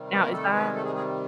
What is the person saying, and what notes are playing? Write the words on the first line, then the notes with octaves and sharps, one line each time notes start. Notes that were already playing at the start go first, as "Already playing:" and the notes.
Now, is that
Already playing: C3 D#3 G3
B3 B4
A#3 A#4
A3 A4
B3 B4
A3 A4
G#3 G#4
G#3 G#4